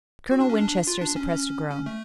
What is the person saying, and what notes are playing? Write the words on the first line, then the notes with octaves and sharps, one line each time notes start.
Colonel Winchester suppressed a groan.
F#4
D4
C#4
D4
F4
D4
C#4
C#4
C#4
A3